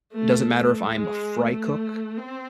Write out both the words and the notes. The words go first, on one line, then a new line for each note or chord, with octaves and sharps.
it doesn't matter if I'm a fry cook
A3
A3
G#3
A3
C4